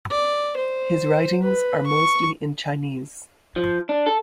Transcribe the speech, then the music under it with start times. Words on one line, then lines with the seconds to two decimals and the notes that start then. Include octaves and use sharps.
His writings are mostly in Chinese.
0.10 D5
0.56 C5
1.42 B4
1.86 C#6
3.56 F3
3.89 D4
4.06 A4